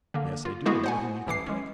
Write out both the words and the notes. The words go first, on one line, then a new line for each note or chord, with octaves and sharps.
"Yes, I do; more than you can think."
D3 A#3
F4
G#3 A#3 B3 E4 F#4 G#4
C5 F#5 G#5
A1 E3 D6 C7
G#3 C#4